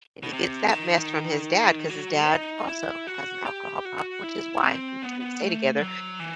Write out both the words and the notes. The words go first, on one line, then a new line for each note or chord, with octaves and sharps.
and he gets that mess from his dad 'cause his dad also has an alcohol problem, which is why we didn't stay together
B2
C3
D#3
F#3
D#4
E4
F#4
G4
F#4
E4
C4
B3
A3
F#3
E3